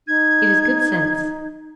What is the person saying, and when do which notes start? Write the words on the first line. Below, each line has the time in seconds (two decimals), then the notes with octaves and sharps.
It is good sense.
0.08 D#4 G#6